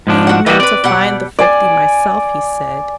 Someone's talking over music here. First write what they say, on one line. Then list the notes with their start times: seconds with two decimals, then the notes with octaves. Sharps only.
'I had meant to find the fifty myself,' he said.
0.07 G#2 F3 D4
0.27 F#4 F#5
0.46 E3 G3 F#4 G4 B4 D#5
0.60 C4 B4 D5
0.84 B2 G3 F#5
1.39 D5 G#5